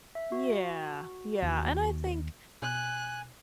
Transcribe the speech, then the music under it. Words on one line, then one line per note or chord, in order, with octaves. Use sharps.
Yeah, yeah. And I think
E5
F#4
D#2
B2 G#5 F#6